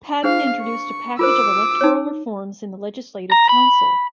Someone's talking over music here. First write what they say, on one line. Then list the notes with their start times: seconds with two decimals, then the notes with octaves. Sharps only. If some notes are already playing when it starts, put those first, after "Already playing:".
Patten introduced a package of electoral reforms in the Legislative Council.
0.24 D4 G#4 C5 F5
0.62 C#6
1.19 F4 A#4 C5 D6 E6
1.81 D#4 C#5
3.32 A#5
3.49 B5